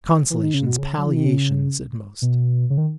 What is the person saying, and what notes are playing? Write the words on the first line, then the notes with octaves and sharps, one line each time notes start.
Consolations, palliations at most.
E3
D#3
C#3
B2
C#3
F#3
E3
D#3
C#3
B2
C#3
D#3